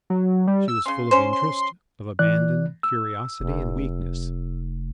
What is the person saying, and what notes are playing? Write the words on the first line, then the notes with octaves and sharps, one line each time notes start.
She was full of interest, of abandon, curiosity, and weakness.
F#3
G3
E6
C#3 C#4 C6
C#4 C5
C6
E3 D5 F#6
E6
F1